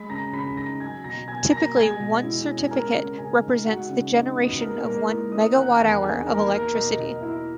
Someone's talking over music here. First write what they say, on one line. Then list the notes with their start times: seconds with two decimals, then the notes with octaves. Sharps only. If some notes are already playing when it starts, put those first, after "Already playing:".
Typically one certificate represents the generation of one Megawatthour of electricity.
Already playing: G#3 B5 B6
0.09 C#3 A#5 A#6
0.33 C#3 B5 B6
0.57 D#4 A#5 A#6
0.80 F#3 G#5 G#6
1.04 B2 A#5 A#6
1.28 B2 G#5 G#6
1.52 A#3 A#5 A#6
1.76 G#3 G#5 G#6
1.99 B2
2.23 E4
2.46 C#4
2.63 G#5
2.70 G#3 A#4 A#5
2.95 C#3
3.18 C#3 G#4 G#5
3.43 D#4
3.65 G#3 F#4 F#5
3.89 C#3
4.14 D#4
4.37 B3
4.60 A#3 A#4 A#5
4.84 A#2 A#4 A#5
5.08 E4
5.31 C#4 D#5 D#6
5.55 D#3 F#5 F#6
5.68 G#5
5.80 E2 A#4 A#5
6.02 D#4 G#4 G#5
6.27 A#3 A#4 A#5
6.51 A#3 A#4 A#5
6.74 B2 D#5
6.97 B2 D#5
7.21 E4 E5